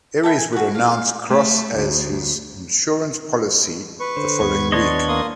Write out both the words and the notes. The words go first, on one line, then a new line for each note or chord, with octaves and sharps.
Aries would announce Kross as his "insurance policy" the following week.
A4 E5 G5 B5
G#5
F#4 B4
F5
F5
A3
D2
B4 C#6
D3 C5
D#2 B3 G#6
D4 C#5 D#5 C6
A#3 C6 D#6